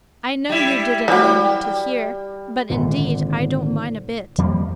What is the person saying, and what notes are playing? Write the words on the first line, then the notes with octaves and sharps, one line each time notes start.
I know you didn't mean me to hear, but indeed I don't mind a bit.
G3 E4
E3 F#3 G3
G#1 A#2 D3
F2 E3 G3 A#3